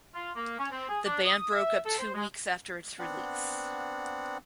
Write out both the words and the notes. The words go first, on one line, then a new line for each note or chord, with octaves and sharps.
The band broke up two weeks after its release.
F4
A#3
C#4
C4
G#4
D4
D#6
E5
A4
C5
G#3
B3 C4 D4 F#5